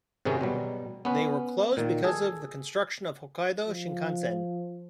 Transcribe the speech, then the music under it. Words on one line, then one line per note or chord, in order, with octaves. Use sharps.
They were closed because of the construction of Hokkaido Shinkansen.
G#2 C3 D#3 G#3 C#4
B2 F#3 G3
B3 C#4 B4
A#2 D#3
G#4 A4
F3